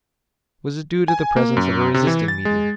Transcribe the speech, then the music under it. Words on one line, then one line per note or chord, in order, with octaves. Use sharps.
Was it due to the presence of a resisting medium?
G#5
A#3
F#2
C3
E3
A6
G#3